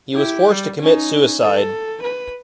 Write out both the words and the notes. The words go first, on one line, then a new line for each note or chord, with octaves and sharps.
He was forced to commit suicide.
E4 G4
G3
C#4 D#4
A4
B4